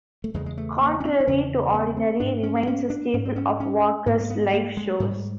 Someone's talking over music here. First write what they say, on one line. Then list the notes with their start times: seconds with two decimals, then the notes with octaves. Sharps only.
"Contrary to Ordinary" remains a staple of Walker's live shows.
0.24 A3
0.34 E2 C#3 G#3
0.46 G#3
0.58 A3
0.81 A#3
1.00 C#4
1.05 C4
1.20 D4
1.27 E2 C#3 C#4
1.74 B3
1.97 C4
2.20 G#2 D4
2.43 C#4
2.67 C#4
2.90 D4
3.13 G#2 C#4
3.25 C4
3.36 C#4
3.60 C#4
4.06 G#2 B3
4.21 A#3
4.30 B3
4.53 A#3
4.77 G#3
5.00 G#2 G3